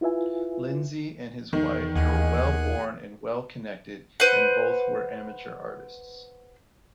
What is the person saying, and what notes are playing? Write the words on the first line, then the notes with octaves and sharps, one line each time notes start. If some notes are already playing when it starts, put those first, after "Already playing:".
Lindsay and his wife were well-born and well-connected, and both were amateur artists.
E4 F4 B4 E5 G#5
E2 D#3
D#2 G#4 F#5 G#5
B4 C5 F#5